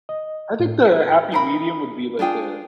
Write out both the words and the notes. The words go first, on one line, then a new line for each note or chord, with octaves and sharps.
I think the happy medium would be like, uh,
D#5
A2
D#4 A#4 B5
D4 F4 G#4 G5